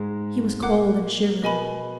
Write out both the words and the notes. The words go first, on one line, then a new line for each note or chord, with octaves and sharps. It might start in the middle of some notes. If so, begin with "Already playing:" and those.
He was cold and shivering.
Already playing: G#2 G#3
A#2 A#3 F#5 D6 F#6
B2 B3 A#4 D#5 G#5 B5